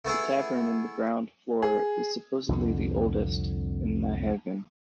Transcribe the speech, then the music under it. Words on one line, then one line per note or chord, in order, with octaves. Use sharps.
The tavern in the ground floor is supposedly the oldest in Nyhavn.
A3 B3 E4 G#4
G#4
C2 F2 D3